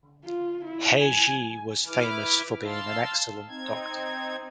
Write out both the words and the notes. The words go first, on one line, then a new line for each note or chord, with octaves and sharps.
He Zhi was famous for being an excellent doctor.
F4
E4
G#5
E4 B4 D6 F6
F5 A5 C6 E6
C4 D#4 G#6